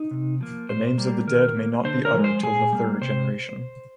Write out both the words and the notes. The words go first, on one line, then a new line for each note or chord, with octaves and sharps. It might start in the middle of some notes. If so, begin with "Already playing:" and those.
The names of the dead may not be uttered till the third generation.
Already playing: D#4
C3
F3 A#3
A#2 C5
G3 A#3
D#3 A#4
A#3
D3 C5
A#4
F3 G#3
C5
A#2 G#4
G3 A#3
C3 C5